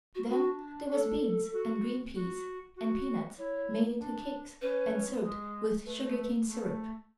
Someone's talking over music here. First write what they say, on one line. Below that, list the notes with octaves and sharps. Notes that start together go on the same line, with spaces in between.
Then there was beans and green peas, and peanuts made into cakes and served with sugarcane syrup.
F#4
D4 F#4
A4
F#4
F#4
F#4
E4 C#5
D4
C#4 B4
G#3
A3 B4
A3